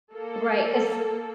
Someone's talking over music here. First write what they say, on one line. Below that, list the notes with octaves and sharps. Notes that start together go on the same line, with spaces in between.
Right, 'cause
A#3 A4